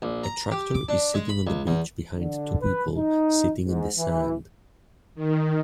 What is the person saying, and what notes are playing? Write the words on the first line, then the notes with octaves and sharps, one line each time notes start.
A tractor is sitting on the beach behind two people sitting in the sand.
A#1
A#5
G4
D6
D4
G#3
B5
C#2
E2
D3
B4
D#4
G#2
E3
D#3